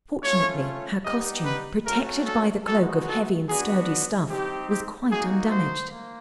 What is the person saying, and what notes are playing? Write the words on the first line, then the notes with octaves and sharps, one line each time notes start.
Fortunately her costume, protected by the cloak of heavy and sturdy stuff, was quite undamaged.
A3 C#4 F4 C#5
G3 B3 D#4 G4 D#5
B4
A3 C#4 F#4 A#4
A4
G#3 B3 D#4 F#4 A4
A4
B3 D4 F#4 G#4
C4 D#4 G4
G4
A#3 D#4 F#4 G#4
C5
A#3